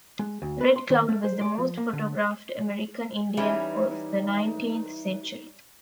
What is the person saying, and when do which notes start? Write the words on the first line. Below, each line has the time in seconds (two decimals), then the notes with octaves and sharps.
Red Cloud was the most photographed American Indian of the nineteenth century.
0.19 G#3
0.42 D2
0.61 B4
0.76 C6
0.90 D#3
1.09 A3
1.24 C5
1.41 D5
1.58 F3
1.77 A#3
1.93 D3
3.37 E3 G3 C#4 D#4